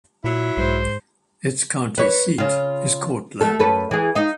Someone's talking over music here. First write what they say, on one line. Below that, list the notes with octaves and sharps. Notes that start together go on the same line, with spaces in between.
Its county seat is Courtland.
A#2 F#3 E4
B1 G#2 C5
B4 C#5
C#3 F4
A3 A4
F#2 A4 B4
E3 G#4
D#4 F5